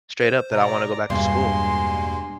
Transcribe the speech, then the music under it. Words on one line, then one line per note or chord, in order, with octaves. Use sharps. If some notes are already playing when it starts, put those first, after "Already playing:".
straight up that I wanna go back to school,
C5
B2 D5 A#5
E2 G2 B2 G#3 A#3 C6